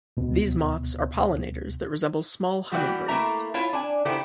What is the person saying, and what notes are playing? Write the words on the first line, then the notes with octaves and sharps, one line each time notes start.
These moths are pollinators that resemble small hummingbirds.
D2 B2
E3 G3 A#3 F#4 G4
A3 A#3 E4 F#4 E5 A#5
E4 F4 C#5 F5 A5
D4 G#5
D3 D#3 B3 E4 G4 C5